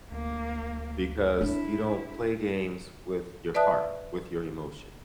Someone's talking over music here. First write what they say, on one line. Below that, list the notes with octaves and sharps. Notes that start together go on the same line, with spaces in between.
because you don't play games with your heart, with your emotion.
D2 A#3
C4 D4 E4
B4 D5 E5 A5 D#6 F#6